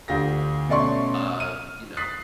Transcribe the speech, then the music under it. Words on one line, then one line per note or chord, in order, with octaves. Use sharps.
uh, you know,
D2 F4 G4 A#6
B2 A3 C#4 D5 C6 C#6
F6 D#7
D#6 F#6 A6 B6 C7